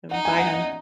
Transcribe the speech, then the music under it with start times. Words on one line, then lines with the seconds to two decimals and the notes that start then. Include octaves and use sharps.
Um, bye, hon.
0.11 D#4 F#5
0.25 G#5
0.39 F#5
0.54 D#5